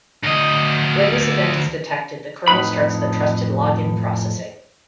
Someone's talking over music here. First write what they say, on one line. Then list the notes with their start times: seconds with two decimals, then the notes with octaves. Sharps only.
When this event is detected, the kernel starts the trusted login processing.
0.23 D2 D#5
2.48 F2 A2 D#4 B4 B5